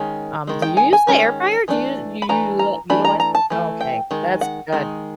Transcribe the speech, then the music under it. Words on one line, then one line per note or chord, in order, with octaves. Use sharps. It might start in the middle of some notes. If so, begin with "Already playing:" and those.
Um, do you use the air fryer? Do you do you utilize? Oh, okay that's good,
Already playing: D#3 G#3 C#4
D#3 G#3
G5
G#5
G#5
D#3 G#3 C#4
E3 A3 D4
B5
E3 A3 D4 A#5
A#5
E3 A3 D4 B5
A#5
A#5
A5
E3 A3
G5
D#3 G#3
F#5
D#3 G#3